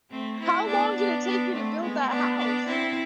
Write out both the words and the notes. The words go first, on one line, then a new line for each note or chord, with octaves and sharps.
How long did it take you to build that house?
A3 C4
C4 E4
B3 D4
B3 D4
B3 D4
A3 C4
G#3 B3
B3 D4
B3 D4
C4 E4